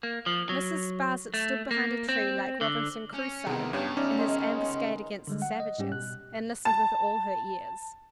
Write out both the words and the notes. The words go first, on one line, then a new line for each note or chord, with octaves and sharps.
Mrs. Sparsit stood behind a tree, like Robinson Crusoe in his ambuscade against the savages, and listened with all her ears.
A#3
F3
F#3
A3
A#3
C4
D3
C#4
E2 C3 D#3 B3 F4 G#4 A#4
G2 C#3 G4 C#5 A5
C#4 D#4 D5 E5
D#3 G#3
D3 G3 G#3
F#5
D#5
G#2 G3 C#4 G4
B2 F#6
A5